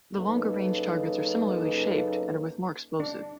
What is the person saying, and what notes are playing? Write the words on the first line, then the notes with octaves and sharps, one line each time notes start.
The longer range targets are similarly shaped and are with more explosive.
F#2 C#3 A#3 D#4 A4 B4
D4